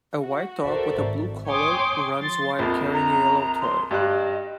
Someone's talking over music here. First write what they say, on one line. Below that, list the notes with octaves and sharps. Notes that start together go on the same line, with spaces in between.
A white dog with a blue collar runs while carrying a yellow toy.
F#4
F#4 A4 A#4 C5 D5 E5
G#1
C#5 G5 G#5 C6 D6 D#6
F3 C6 A6
A#1 F2
A#5
C6
G2 G3 D#5 F#6